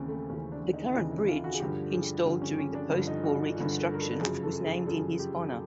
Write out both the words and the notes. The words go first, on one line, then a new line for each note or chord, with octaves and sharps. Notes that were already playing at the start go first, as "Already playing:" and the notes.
The current bridge, installed during the post-war reconstruction, was named in his honor.
Already playing: D#2 C#3 E3 A#3 C4 C#4
A3
D#2 C#3 E3 C#4
D4
D#4
D#2 C#3 E3 D#4
E4
F4
F#4
G#4
G2 D3 F3 G4
G#4
G2 D3 F3 G4
C#4
C#4
D4
G2 D3 F3 D4
D#4
F#4
G2 D3 F3
A#4
A#4
A4
F#2 C#3 F3 G#4
A4
G#4
F#2 C#3 F3 A4
G4